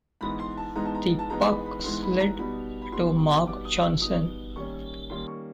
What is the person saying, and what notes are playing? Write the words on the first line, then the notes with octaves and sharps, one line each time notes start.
The puck slid to Mark Johnson.
G#2 E3 G#3 B3 D#4 B5
C6
A5
G#2 E3 G#3 B3 D#4 A#5
A5
A#5
A5
G#2 E3 G#3 B3 D#4 A#5
B5
B5
G#2 E3 G#3 B3 D#4 C6
B5
A#5
B2 G3 B3 D#4 B5
B5
B2 G3 B3 D#4 C6
B2 G3 B3 D#4 D6
D#6
E6
B2 G3 B3 D#4 D#6
D#3 G3 A#3 C#4 C#6
D#3 G3 A#3 C#4 C6
C#6